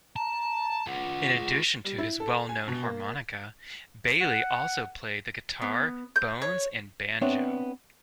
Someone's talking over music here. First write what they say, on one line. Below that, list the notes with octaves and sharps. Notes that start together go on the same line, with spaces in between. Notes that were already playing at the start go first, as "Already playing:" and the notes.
In addition to his well-known harmonica, Bailey also played the guitar, bones, and banjo.
A5 A#5
F4 G#4 F#5
G3
E4
A4
G#5
B2
A#3
F#5
B3
G6
C#5
B3 C4 D4 C#5 E5